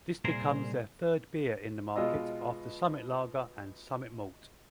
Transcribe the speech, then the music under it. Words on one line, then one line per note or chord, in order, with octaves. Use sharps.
This becomes their third beer in the market after Summit Lager and Summit Malt.
C2 A#2 G#4 A#4 C5
B2 G#3 F4 D#5 E6